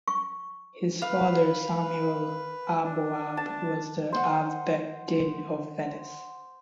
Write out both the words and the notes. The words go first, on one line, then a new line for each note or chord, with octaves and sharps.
His father Samuel Aboab was the Av Bet Din of Venice.
C#6
B4 F5
D4
A5
C5 F#5